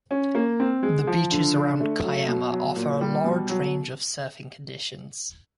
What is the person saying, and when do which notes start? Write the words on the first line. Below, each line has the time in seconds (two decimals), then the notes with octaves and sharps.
The beaches around Kiama offer a large range of surfing conditions.
0.11 C#4
0.35 A#3
0.60 C4
0.83 G#3
1.07 F3
1.31 D3
1.55 D4
1.80 A3
2.04 F#3
2.28 B2
2.52 F#3
2.76 A#2
3.01 G3
3.24 B2
3.49 F#3